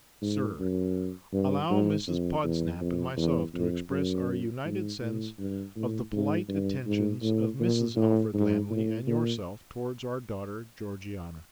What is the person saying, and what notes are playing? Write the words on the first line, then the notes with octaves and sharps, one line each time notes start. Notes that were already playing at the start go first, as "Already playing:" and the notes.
Sir: Allow Mrs Podsnap and myself to express our united sense of the polite attentions of Mrs Alfred Lammle and yourself towards our daughter, Georgiana.
G#2
F#2
G2
G#2
F2
E2
F2
E2
F2
F#2
G#2
A2
G2
A2
G#2
G2
G#2
A2
A#2
A2
G#2
A2
A#2